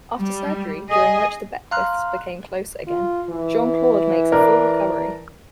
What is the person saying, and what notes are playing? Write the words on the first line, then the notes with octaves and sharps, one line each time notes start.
After surgery, during which the Beckwiths become closer again, Jean-Claude makes a full recovery.
G3
G#4 D#5
F5 A#5 C6 F6 F#6
F4
E3
D4 A#4